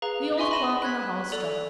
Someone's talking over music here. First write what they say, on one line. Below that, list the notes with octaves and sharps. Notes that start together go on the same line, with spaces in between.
The old clock in the hall struck.
G#4 B4 F5 A#5
D#5 E5 G#5 C6 C#6
B5 C#6 A#6 D#7 E7 F#7
F#6 G#6 B6
F#6
A4 D5 F7